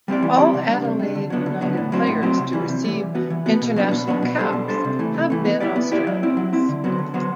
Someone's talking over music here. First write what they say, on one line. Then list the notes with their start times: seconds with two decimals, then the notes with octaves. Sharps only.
All Adelaide United players to receive international caps have been Australians.
0.08 G3 C4 G4 D5
0.23 E3
0.38 G3 C4 G4 D5
0.54 C3
0.69 G3 D4
0.85 C3
0.99 G3 D4
1.15 D3
1.30 F#3 B3 D4
1.46 D3
1.61 F#3 B3 D4
1.77 A2
1.92 F#3 C4 F#4 C5
2.07 A2
2.23 F#3 C4 F#4 C5
2.38 C3
2.53 E3 G3
2.69 C3
2.85 E3 G3
3.00 E3
3.15 B3 F#4
3.30 E3
3.46 B3 F#4
3.61 B2
3.76 F#3 B3 D4
3.92 B2
4.07 F#3 B3 D4
4.22 B2
4.37 G3 D4 A4 C5
4.53 B2
4.68 G3 D4 A4 C5
4.84 C3
4.99 E3 A3
5.14 C3
5.30 E3 A3
5.45 B3
5.60 E4 G4 D5
5.76 B3
5.92 E4 G4 D5
6.07 F#3
6.23 C4 E4
6.37 F#3
6.53 C4 E4
6.69 D3
6.84 F#3 B3 F#4 C5
6.98 D3
7.14 F#3 B3 F#4 C5